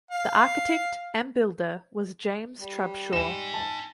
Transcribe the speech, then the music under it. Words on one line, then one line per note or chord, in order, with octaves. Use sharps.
The architect and builder was James Trubshaw.
F5
G3
D#4 G#5 E7
A5